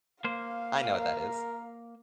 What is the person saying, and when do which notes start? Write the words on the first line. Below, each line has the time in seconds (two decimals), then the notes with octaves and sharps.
I know what that is.
0.24 A#3 C5 F5
0.91 A#4